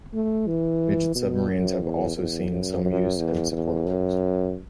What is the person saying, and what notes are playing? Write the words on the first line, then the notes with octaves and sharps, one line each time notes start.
Midget submarines have also seen some use in support roles.
A3
E3
B2
F#2
E2
E2
F#2
F#2
E2
E2
F#2